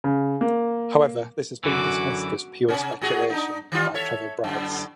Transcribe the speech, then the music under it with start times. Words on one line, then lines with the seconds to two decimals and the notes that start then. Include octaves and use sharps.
However, this has been dismissed as "pure speculation" by Trevor Bryce.
0.04 C#3
0.41 A#3
1.64 F#2 D3 E3 F#4 D6
2.69 C3 C#4
3.01 A2 F#4 G#4
3.30 D4 D#4
3.72 D#3 G3 F4
3.94 A4 C#5 E5
4.44 F#2 A2 D3